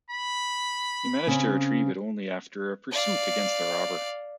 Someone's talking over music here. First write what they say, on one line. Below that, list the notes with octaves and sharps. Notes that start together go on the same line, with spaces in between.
He managed to retrieve it only after a pursuit against the robber.
B5
C#3 C4 C#4
D5 F5